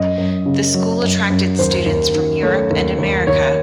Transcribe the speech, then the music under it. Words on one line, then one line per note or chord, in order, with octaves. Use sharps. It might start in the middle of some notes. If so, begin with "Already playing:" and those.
The school attracted students from Europe and America.
Already playing: F#2 D#5
F#2
C#3
F#3
F#2
F#2
D#2 C5
D#2
D#3
A3 C#5
D#2
D#2
D#2 C#5